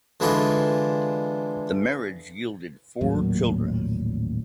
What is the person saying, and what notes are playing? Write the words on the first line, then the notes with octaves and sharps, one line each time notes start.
The marriage yielded four children.
D3 E3 G#3 E4 F4 F5
D#1 A1 A#2 F#3